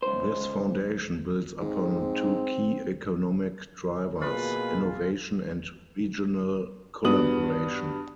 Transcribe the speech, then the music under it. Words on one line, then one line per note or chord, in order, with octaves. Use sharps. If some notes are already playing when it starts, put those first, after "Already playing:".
This foundation builds upon two key economic drivers - innovation and regional collaboration.
C#2 C5
G#2 C4
B2 A#3 F4 G#4 B4
G2 B3 F#4 D#6 F#7